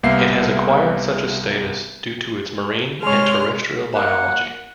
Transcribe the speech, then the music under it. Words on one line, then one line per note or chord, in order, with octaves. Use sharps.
It has acquired such a status due to its marine and terrestrial biology.
C2 A#3 B3 E5 F5 C7
G#2 C3 G#3 G#4 C#5 C6 F6
A#3 F#5